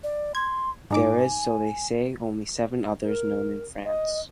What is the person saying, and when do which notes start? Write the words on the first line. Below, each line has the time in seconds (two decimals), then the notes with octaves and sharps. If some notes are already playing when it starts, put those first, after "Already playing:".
There is, so they say, only seven others known in France.
0.04 D5
0.35 C6 G#6
0.91 G#2 D#4 G#5 D6
3.04 A#4
3.85 D#5